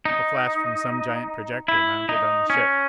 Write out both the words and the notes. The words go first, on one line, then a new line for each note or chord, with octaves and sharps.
A flash from some giant projector mounted on the ship?
D#4
E4
D#4
C#4